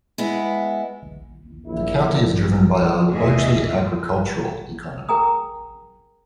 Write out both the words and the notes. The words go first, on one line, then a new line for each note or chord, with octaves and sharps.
The county is driven by a largely agricultural economy.
G#3 B3 E4
A#1 E4
E2 A3 G#4 D#5 E5
G#4 A#4 G5 G#5 A#5 D#6